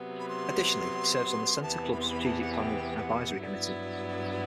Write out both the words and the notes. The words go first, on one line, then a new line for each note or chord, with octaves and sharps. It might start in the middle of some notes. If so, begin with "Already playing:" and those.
Additionally, he serves on The Center Club Strategic Planning Advisory Committee.
Already playing: C3 F#3 B3
B5
C6
E2 C3 E3 B3 A5
B5
C6
B5
B5
A5
F#5
A5
G5
G5
F#5
G2 F#3 B3 E4 D5